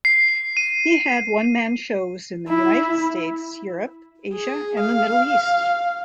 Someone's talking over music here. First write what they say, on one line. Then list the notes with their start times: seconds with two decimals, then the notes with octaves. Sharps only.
He had one-man shows in the United States, Europe, Asia and the Middle East.
0.05 C7
0.57 D#7
2.48 E4
4.34 G#4
4.80 F5